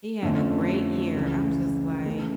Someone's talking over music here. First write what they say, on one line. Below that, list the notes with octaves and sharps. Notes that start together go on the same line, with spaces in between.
He had a great year. I’m just like,
F2 D3 F3 A3 C#4
C#2 C#3 E3
C#3 E3 A3